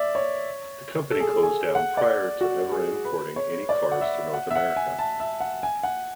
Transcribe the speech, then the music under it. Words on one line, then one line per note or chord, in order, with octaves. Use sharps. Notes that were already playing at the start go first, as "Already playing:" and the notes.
The company closed down prior to ever importing any cars to North America.
Already playing: D5 E5
C#5
A4
G#4
A4
G#5
F#5
D5
F#4
G#4
B4
C#5
D5
F#5
E5
F#5
E5
F#5
G#5
A5
E5
F#5
G#5
F#5